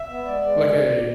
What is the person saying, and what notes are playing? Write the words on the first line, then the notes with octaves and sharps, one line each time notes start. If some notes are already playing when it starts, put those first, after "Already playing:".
Like a
Already playing: E5
B3
G#3 D5
G#3
G2